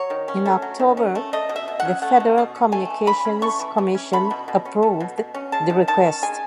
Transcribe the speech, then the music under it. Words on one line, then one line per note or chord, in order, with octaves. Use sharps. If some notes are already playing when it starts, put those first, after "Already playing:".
In October, the Federal Communications Commission approved the request.
Already playing: F#3 C#5
D#3
C#4
A3
F#3
D#3
C#4
A3
A3 D#5
B2
E5
B2
F#5
C#4
A3 F#5
B2
B2
C#4
A3 G#5
E3
E3 B5
C#4
A3 C#6
E3
E3
C#4
A3 B5
B2
B2
C#4
A3
B2
B2
C#4
G#3 A5
D#3
D#3 A5
C#4
G#3 G#5